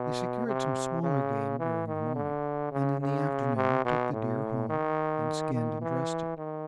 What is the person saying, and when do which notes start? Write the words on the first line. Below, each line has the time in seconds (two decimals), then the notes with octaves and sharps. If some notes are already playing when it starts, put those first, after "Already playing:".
They secured some smaller game during the morning, and in the afternoon took the deer home, and skinned and dressed it.
Already playing: B2
0.46 C3
1.03 C#3
1.59 E3
1.87 D#3
2.15 D3
2.71 C#3
3.00 C#3
3.56 C3
3.85 B2
4.12 A2
4.69 D#3
5.53 D#3
5.81 E3
6.37 D#3